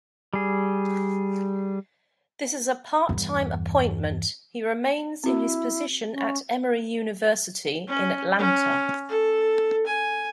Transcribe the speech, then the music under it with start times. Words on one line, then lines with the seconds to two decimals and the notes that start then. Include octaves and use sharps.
This is a part-time appointment-he remains in his position at Emory University, in Atlanta.
0.33 G3 G#4
3.09 E2 G2
5.24 C4 E4 F#4
6.14 C#4
7.87 C#4
8.38 C#4
9.09 A4
9.86 G#5